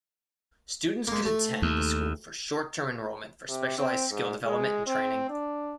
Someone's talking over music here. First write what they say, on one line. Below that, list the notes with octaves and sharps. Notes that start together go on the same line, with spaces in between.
Students could attend the school for short-term enrollment for specialized skill development and training.
G#3 A#3
A3
D#2
C3
C4
G#2
G#3
C4
D4